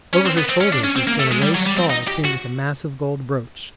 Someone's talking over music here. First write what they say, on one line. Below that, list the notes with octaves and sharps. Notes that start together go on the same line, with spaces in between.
Over her shoulders was thrown a lace shawl pinned with a massive gold brooch.
C#4
C4
B3
C4
C#4
D4
C#4
C4
A#3
A3
G#3
G3
F#3
G3
C4
D#4
G4
F#4